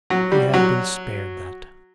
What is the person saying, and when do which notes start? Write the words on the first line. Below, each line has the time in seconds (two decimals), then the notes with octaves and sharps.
He had been spared that!
0.10 F#3
0.32 G3
0.54 F#3